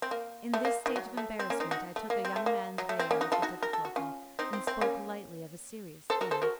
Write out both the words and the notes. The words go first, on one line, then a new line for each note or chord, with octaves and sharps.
In this state of embarrassment I took a young man's way out of the difficulty, and spoke lightly of a serious thing.
C4
A#3
A3
A#3
D#3
F#3
A3
C4
A#3 C#4
C4 D#4
D#4 F#4
A3
A#3
C4
A3
A#3
F#3
A3
C4
A#3 C#4
D#4 F#4
F4 A4
D#4 F#4
A#4
A4
F#4
C#4 F4
C4 D#4
C4
C4
A#3 C#4
A4 C5
F#4 A#4
A4 C5
F#4 A#4